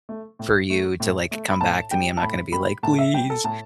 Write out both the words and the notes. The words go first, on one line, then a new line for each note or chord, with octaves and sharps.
for you to, like, come back to me. I'm not gonna be like, 'please.'"
A3
A2
A3
A2
A3
B5
A2 A5
G3 G5
A5
A2 B5
G3 B5
A2 A5
E5
G3 G5
A4
A2 A5